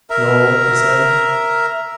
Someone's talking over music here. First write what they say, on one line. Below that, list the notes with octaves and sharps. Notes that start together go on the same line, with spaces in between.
"No," he said.
A#4 E5 A#5